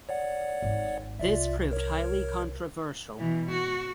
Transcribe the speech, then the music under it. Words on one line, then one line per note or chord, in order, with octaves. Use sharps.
This proved highly controversial.
C#5 D5 F#5
G#1 G#2
C2 F4 D5 E5
A#4 C#5
B2 E3
F#4